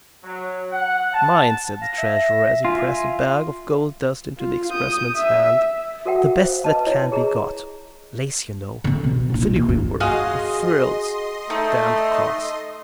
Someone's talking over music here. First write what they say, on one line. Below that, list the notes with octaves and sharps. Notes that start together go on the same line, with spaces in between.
"Mind," said the treasurer, as he pressed a bag of gold-dust into the expressman's hand, "the best that can be got,--lace, you know, and filigree-work and frills,--damn the cost!"
F#3
F#5
A5
F5 A#6
E5
F4 E5 G#5
F4
D#6 G6
E5
F#4 A4 A#4 E5 F#5 G5
C5 F5
B4 D#5 A5
E4 C#5 D#5
G#4 A#5
D3 C4
B2
A#1 D#4
F4
D#2
G2
F#4 G#4 D#5 F5 C6
A3 D#4